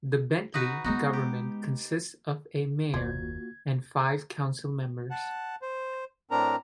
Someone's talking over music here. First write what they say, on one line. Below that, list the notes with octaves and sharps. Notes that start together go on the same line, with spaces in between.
The Bentley government consists of a mayor and five council members.
D#4 F#4 B4
G#3 B3 D#4 F#4
G4
F#1 D#2 A#3 F4 F#4 C5 D5 G#6
F#5 A5
C5
A2 C4 D4 A#4 A#5